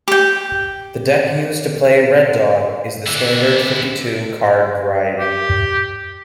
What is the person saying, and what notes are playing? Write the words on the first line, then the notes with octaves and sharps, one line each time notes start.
The deck used to play red dog is the standard, fifty-two-card variety.
G4 G5
D3 E4
G4